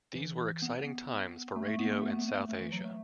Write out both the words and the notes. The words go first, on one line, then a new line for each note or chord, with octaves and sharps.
These were exciting times for radio in South Asia.
E3
B3
A3
A3
B3
A3
A3
B3
A3
A3
E3
F#3
A3